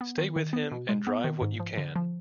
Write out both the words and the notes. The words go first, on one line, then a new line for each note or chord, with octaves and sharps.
Stay with him and drive what you can.
B3
D#3
D#3
B3
B2
G#3
B3
D#3
G#2
F3
D3
F3